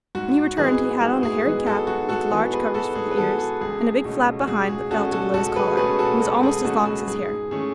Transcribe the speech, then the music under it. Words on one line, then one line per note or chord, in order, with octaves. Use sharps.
When he returned he had on a hairy cap, with large covers for the ears, and a big flap behind that fell to below his collar, and was almost as long as his hair.
G#2 F#4
E3 G#3 B3 G#4
G#2 F#4
G#4
E3 G#3 B3
F#4 A4
G#2 F#4
F#4 A4
E3 G#3 B3
G#4 B4
G#2 F#4 A4
G#4
B4
E3 G#3 B3 F#4 A4
G#4
C#2 G#4
B2 A3 C#4
F#4
C#2 G#4
G#4
B2 A3 C#4 F#4 A4
F#4 A4
C#2 F#4 A4
G#4 B4
B2 A3 C#4 G#4 B4
F#4 A4
C#2 F#4
G#4
B2 A3 C#4 F#4
F#4
G#2 G#4
E3 A3 C#4 G#4